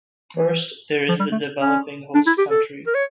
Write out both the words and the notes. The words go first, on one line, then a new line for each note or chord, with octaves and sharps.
First, there is the developing host country.
E3
F3
G3
A3
C#4
D4
E4
G4
A4
A#4
C#5